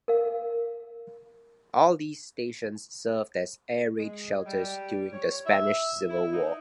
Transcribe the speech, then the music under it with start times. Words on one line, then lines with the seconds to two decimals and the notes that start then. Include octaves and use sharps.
All these stations served as air raid shelters during the Spanish Civil War.
0.08 A#4 F5
3.98 G#3
4.46 G3
5.13 C#5
5.46 E5
6.09 E4
6.33 D#4